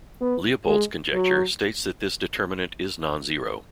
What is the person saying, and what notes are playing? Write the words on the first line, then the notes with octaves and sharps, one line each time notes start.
"Leopoldt's conjecture" states that this determinant is non-zero.
B3
G#3
F#3